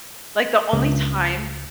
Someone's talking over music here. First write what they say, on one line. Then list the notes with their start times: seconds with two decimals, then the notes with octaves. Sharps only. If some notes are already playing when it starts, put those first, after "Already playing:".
Like, the only time
0.73 C#2